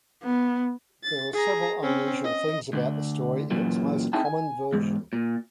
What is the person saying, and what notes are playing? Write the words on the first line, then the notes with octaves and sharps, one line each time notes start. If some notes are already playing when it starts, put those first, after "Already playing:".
There were several unusual things about the story in its most common version.
B3
A6
G#4 A#5
C4 C#4
D#5
D2 D3
F#2 A#2 E3 F#3
C4 D#4 E4 G#4 G5 A5
G#5
E2 G#2
A#2